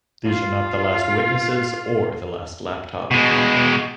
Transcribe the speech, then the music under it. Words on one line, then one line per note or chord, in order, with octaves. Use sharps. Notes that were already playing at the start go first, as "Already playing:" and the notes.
These are not the last witnesses or the last laptop.
F4 F5
B2 G#3